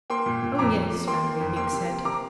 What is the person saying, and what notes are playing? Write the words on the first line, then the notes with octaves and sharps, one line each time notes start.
"Oh, yes," van Riebeek said.
A#3 G5 C6
A#2
A#2
F2 A#5 D6
F3
F3
A#3 G5 C6
A#3
F2
A#3 G5 C6
C3
A#3
C3 A#5 D6